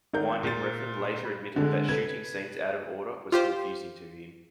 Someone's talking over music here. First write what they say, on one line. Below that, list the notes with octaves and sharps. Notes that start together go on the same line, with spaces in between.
Winding Refn later admitted that shooting scenes out of order was confusing to him.
G#1 D#4 A#4 G6
A#2 A6
B5
D3 G#3 C4 D4 A4
C3 A4 B4 G#6
F4 G4 C5